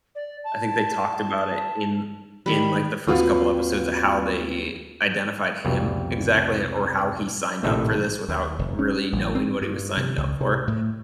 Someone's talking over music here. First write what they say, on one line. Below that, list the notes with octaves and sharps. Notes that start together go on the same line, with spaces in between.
I think they talked about it in in, like, the first couple episodes of how they identified him exactly or how he signed up for this without really knowing what he was signing up for.
D5
A5
D#3 G3 B5
D#2 C4 F4 F#4 B4 F5
C2 F2 B2 G3
A#1 A2 C3 D#3 A4 E5
D#2
F1
C#4
A1
C4
G2
C3
C#2
C3
A2